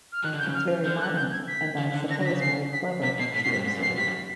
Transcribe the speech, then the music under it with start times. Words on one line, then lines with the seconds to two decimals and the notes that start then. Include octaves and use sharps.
"It's very modern, and I suppose very clever," she observed.
0.12 F6
0.24 D#3 F#6
0.34 D3
0.39 G6
0.44 C#3
0.55 F6
0.85 D3 G6
1.01 F#6
1.16 G6
1.32 G#6
1.48 B6
1.79 D#3
1.94 D3
2.10 D3 A#6
2.21 D3 A#6
2.25 B6
2.31 C#3
2.41 C7
2.73 B6
3.03 C3 B6
3.19 B2 C7
3.35 A2 B6
3.44 F#2 C7
3.52 B6
3.56 G2
3.66 G#2 B6
3.77 F#2
3.82 C7
3.87 F#2
3.98 G2 B6
4.08 F#2